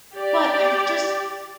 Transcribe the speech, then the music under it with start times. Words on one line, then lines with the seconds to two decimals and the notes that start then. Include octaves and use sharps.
but I've just
0.15 G4 D5